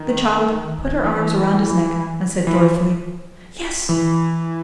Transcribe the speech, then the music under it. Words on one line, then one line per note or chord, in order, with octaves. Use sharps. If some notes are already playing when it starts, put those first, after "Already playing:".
The child put her arms around his neck, and said joyfully, "Yes."
Already playing: D#3
E3
E3
E3